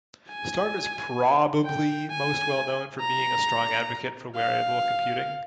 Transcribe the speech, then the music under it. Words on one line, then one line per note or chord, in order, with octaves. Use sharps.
Starner is probably most well known for being a strong advocate for wearable computing.
G#5
G5
G#5
A#5
F5